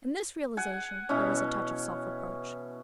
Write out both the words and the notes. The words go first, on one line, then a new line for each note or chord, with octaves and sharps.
In this realization there was a touch of self-reproach.
F#5 G#5
B2 E3 C#4